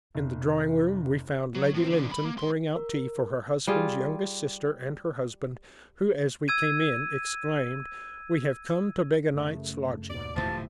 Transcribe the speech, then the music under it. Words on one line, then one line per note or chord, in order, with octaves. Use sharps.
In the drawing-room we found Lady Lynton pouring out tea for her husband's youngest sister and her husband, who, as we came in, exclaimed: "We have come to beg a night's lodging."
F1
F#3
A2 C4
E2 D3
G2 B5
A#3
G#2 C6
A#4
G3 F4 G#4
E6 G#6 D#7
F#2 C#3 A3
D#2 G#2 B2 D5
D1 A2 C3 E3 F3 A5